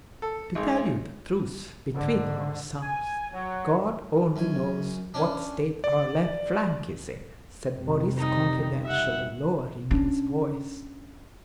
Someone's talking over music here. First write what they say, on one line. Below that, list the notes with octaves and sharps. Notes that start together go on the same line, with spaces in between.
"To tell you the truth, between ourselves, God only knows what state our left flank is in," said Boris confidentially lowering his voice.
A4
G#1 G#3
G#2 D3
G#5
F#3
F#2 G#5
C#4 D4
D5
F2 C3 G3
D#4
E5 F#5
C#4 D4